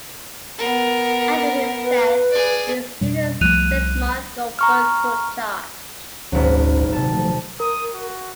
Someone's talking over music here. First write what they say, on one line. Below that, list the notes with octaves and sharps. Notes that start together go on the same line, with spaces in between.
After his death, his student Szymon Goldberg took charge.
B3 A#4
B4
G#4 D5
F2 B2 G3
C2 F3 G3 A3 F#6 D#7 F7
A#5 C#6 F6
D#1 G#1 D2 F#3 C#4
C3 A5
F3 A3
A#4 D#6
F#4